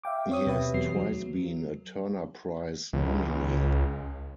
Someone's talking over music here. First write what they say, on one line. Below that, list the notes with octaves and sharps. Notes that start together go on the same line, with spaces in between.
He has twice been a Turner Prize nominee.
E5 F5 G5 D6
C4 C#5 D#6
D#2 B2 G4 B4 E5
E2 F#3 B3 C7
F#3
C#2